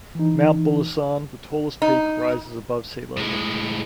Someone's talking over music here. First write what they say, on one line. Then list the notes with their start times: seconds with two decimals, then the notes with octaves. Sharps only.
Mount Bulusan, the tallest peak, rises above sea level.
0.15 E3 D#4
1.82 D#4
3.17 A2 G#3